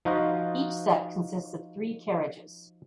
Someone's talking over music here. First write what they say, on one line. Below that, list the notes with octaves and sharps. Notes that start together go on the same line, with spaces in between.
Each set consists of three carriages.
F3 D#4 F4 F#4 C5 D#5